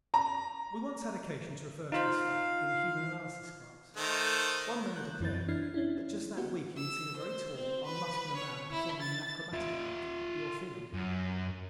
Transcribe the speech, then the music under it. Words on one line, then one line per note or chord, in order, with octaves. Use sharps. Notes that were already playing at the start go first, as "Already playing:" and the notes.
We once had occasion to refer to this fact in a Human Analysis Class. One member declared that just that week he had seen a very tall, unmuscular man performing in an acrobatic act at the Orpheum.
A#5
D#4 F4 C5 F5
D#3 A3 C5
F#6 G6
F#2 E3 C4 G6 A6
D4 E4 F6 G#6 C7
C#4 D4 E4
A#3 B3 F#4 G4
E6
C5
C4
B4
C#5
E4
A6
F4 E5
F#2